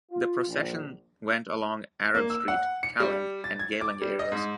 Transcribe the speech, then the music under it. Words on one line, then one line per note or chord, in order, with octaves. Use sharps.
The procession went along Arab Street, Kallang and Geylang areas.
F4
A#1
A#3
E6
F#5
C#7
G3
A6
G#6
D6
G3
D#5
G#2